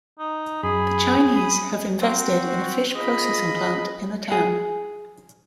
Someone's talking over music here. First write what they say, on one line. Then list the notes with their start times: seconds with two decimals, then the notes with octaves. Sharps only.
The Chinese have invested in a fish processing plant in the town.
0.19 D#4
0.63 F#2 G#4 B5
1.36 B5 D#6
2.01 C4 F#4
2.95 F3 G#4 D#5 B5
4.32 G#4